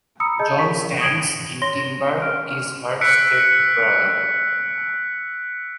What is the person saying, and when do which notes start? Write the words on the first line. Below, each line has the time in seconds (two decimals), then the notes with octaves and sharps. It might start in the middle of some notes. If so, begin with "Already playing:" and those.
John Stands In Timber is her step brother.
0.20 A#5 B5 D#6 E6 C#7
0.39 G#4 D#5 A5 G6
0.59 A#4 C#6 B6
1.01 D#6 G#6 D7 F#7 G7
1.62 C#5 C6 A#6 G7
2.22 F6 D7
3.01 E6 F#6 B6 C#7 D7